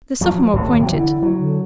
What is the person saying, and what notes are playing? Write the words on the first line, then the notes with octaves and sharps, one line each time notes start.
The sophomore pointed.
F3 F#3
D#2 A2 D#3
C3 E3 F#3
D3 E4
F#3
D3